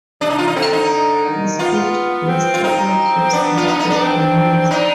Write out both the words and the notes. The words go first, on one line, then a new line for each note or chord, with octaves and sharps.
This page lists all those that have been used.
C3 D4
D#4
F4
D#4
D3 C4
D#4
D#3
B3 F4
C4
F4
C4 D#4
B3 D4
F4
D#4
D#4
D4
C4
D4 D#4